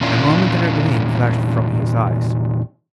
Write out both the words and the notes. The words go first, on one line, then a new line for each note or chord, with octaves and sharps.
A momentary gleam flashed from his eyes.
E2 A#2 C#4 D4 E4 F4